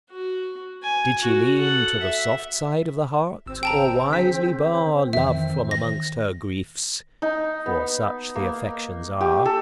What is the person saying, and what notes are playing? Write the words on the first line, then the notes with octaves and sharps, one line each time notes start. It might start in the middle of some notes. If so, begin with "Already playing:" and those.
Did she lean To the soft side of the heart, or wisely bar Love from amongst her griefs?--for such the affections are.
F#4
G#5
F#4
A4 F#5
E5
G#1 C4 E6
G5 A5 A#5
D3 G#4 B6
F2 D#3 E3 C4 E5
D#3 A#6
D#4
B3
A#3
G4
A4